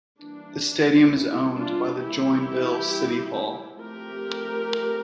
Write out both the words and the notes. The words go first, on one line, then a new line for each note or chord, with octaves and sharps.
The stadium is owned by the Joinville City Hall.
E3 G3 A#3 D4
E4
D4 F4
E4 G4
F3 A3 C4 G4 A#4